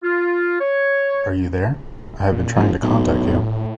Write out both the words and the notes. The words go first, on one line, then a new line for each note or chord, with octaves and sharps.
Are you there? I have been trying to contact you.
F4
C#5
A#2
F#1 F3
B1 A2